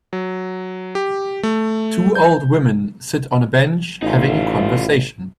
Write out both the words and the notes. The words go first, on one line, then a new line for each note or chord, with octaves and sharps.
Two old women sit on a bench having a conversation.
F#3
G4
A3
G6
A1 D#4 F4